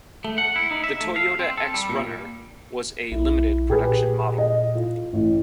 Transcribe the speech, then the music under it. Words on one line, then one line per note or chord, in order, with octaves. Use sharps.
The Toyota X-Runner was a limited production model.
A3
F#5
E4
D#4
E5
A3
F5
C4
A4
G3
A#2
B1 E4
A#2 G4 G#4 B4
D#5
F4
A1